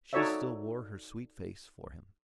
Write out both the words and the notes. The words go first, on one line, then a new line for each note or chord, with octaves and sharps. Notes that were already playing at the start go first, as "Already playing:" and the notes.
She still wore her sweet face for him.
D#4 F#4 A4 C#5 D5 E5